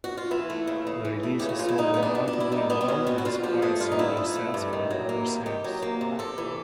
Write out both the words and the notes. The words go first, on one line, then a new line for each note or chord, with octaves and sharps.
The releases sold remarkably well and inspired similar sets from other series.
F#4
F4
E3 E4
A3
C#3
C#3
E3
A3
C#3 G4
F#4
C#3 F4
E4
G3 D#4
B3 D#4
D4
B2
D4
B2
E4
G3 D#4
B3 D4
C4
B2 C#4
B2 C4
F#4
D3 F4
F3 G4
A3 G#4
G2 F4
D#4
D3 E4
F3
A3
G2
D#3
F#3
A#3
C3
D#3 G4
F#3
A#3
C3
C3 A4
E3